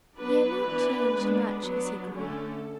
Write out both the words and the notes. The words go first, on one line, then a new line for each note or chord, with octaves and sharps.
He had not changed much as he grew up.
F#3 B3 D4 B4
E3 B3 D4
G#3 B3 D4
F#3 B3 D4
D3 A3 C#4 A4